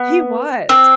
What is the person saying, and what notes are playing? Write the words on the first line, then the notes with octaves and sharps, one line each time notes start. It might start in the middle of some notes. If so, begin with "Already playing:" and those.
He was.
Already playing: B3
C4